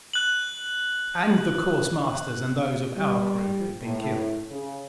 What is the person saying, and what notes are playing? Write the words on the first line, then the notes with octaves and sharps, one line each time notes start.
And the course masters and those of our crew who had been killed.
F#6 F#7
G3
A2
C#3